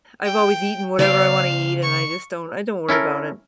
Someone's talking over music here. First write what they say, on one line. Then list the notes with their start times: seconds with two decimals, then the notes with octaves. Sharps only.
I've always eaten whatever I wanna eat, and I just don't I don't worry about it.
0.25 G5
0.99 C#3 C5 D5 F5
1.83 C#6
2.89 C#4 E4 A4 A#4